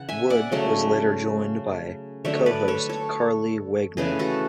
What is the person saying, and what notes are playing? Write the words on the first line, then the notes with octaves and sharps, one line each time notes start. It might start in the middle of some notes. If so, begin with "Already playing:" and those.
Wood was later joined by co-host Carley Wegner.
Already playing: C#3 E3 F#5
E5 G#5
D5 F#5
C#3 F#3 A3 C#4
D3 F#3 A3 D4 C#5 E5
B4 D5
A4 C#5
A4 C#5
C#3 E3 A3 C#4 G#4 B4
F#4 A4